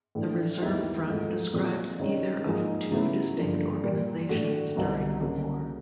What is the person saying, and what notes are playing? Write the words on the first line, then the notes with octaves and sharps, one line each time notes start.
The Reserve Front describes either of two distinct organizations during the war.
A2 E3 A3 D4
D#2 D#3 G#3 B3 E4
G#2 F3 A3
A#2 F3 G#3 C4
C3 D#3 G#3 C#4
G#2 F3 A#3 D#4 G#4
C#3 F#3 B3 E4
G2 D3 F3 A#3
A#2 G3 A#3
A2 F#3 A3 D4 F#4
C2 B2 F#3 B3
C#3 F#3 A#3